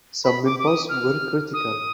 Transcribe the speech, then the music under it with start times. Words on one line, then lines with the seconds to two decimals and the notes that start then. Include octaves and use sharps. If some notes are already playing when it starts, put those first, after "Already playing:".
Some members were critical.
0.24 B5
0.45 D6
0.59 D6
0.67 D#6
0.89 F6
1.54 D#6